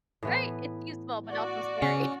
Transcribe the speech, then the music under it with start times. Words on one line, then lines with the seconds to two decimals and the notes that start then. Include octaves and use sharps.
Right, it's useful, but also scary.
0.23 A2 E3 B3
1.29 F#4 D5
1.82 C#3 C#4